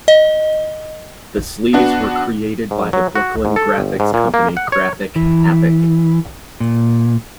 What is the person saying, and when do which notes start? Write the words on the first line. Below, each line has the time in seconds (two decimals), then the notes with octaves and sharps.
The sleeves were created by the Brooklyn graphics company Graphic Havoc.
0.08 D#5
1.73 B3 D4 F#4
2.71 G#2
2.93 F#3
3.16 F#4
3.45 G#2
3.56 A4
3.78 G1
4.00 G#2
4.14 A#2
4.34 A#3
4.57 F#5
4.72 C#5
5.16 E3
6.60 A#2